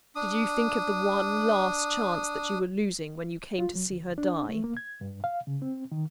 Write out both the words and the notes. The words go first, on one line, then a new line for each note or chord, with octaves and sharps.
Did you think of the one, last chance that you were losing, when you came to see her die?
D4 D#6
F4
F#3
D2
D4
A3
A#3
G#6
G2
F5
C#3
C4
D#3